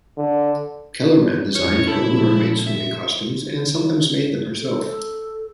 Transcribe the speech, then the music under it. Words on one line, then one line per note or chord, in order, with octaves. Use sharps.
Kellermann designed her own mermaid swimming costumes and sometimes made them herself.
D3
G#2 D3
F2 A2 G#3 C#4 C#5 F6
A#2 C#3 F3 E4 A4
E5
A4